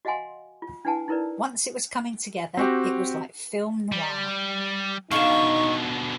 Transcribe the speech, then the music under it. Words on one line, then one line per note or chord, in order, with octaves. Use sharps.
Once it was coming together, it was like film noir.
F#4 D#5 F5 F#5 G#5 C6
F4
D4 E4 B4 F#5 G#5 A5
D#4 E4 A#4 B4 D5
C4 F#4 G4
G3
B2 D3 D#4 F5 A5 C#6